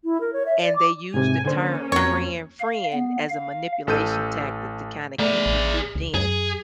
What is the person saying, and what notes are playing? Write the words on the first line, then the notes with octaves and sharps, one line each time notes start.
and they use the term frien "friend" as a manipulation tactic to kinda keep me looped in
E4
A#4
C#5
E5
D5
D6
G#2 C3 G#5
D3 A#3 C#4 C5
F2 F#3 C#5
F5
B3
F5
A1 A4 E6 G6 D#7
A3 G#4 D5
A1
C#2
F#2 G#4